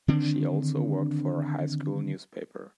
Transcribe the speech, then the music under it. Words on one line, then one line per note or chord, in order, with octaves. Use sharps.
She also worked for her high school newspaper.
D3 D#3 C4 D4